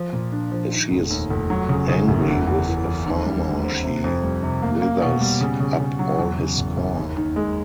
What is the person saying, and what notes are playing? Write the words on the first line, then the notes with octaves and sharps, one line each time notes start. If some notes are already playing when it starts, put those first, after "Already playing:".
If she is angry with a farmer, she withers up all his corn.
Already playing: F3
A#2
D4
F3
D#3
F1
D#2
F1
F#3
C#3
C#3
F#1
E2
E2
E3
E3
D#2
G3
D3
C4
C3
F2
G3
C3
A#3
A#3
B2
G3
C#3
C#3
C#3
F#3
E2
C#3
F#1
F#1
D#2
D#3
G#3